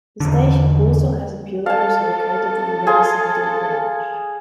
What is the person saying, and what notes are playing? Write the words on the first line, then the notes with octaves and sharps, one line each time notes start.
The station also has bureaus located in Riverside and Orange.
E2 D3
A4 F5 A5
G#4 F5 C6